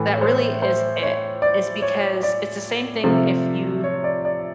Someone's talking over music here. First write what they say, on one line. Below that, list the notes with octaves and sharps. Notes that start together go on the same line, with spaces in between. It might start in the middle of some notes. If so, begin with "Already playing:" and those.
That really is it. It's because it's the same thing if you,
Already playing: A2 E3 A3 B4
C#5
C5
C5
C#5
D5
C#5
D5
C3 F3 A3
C#5
D5
D5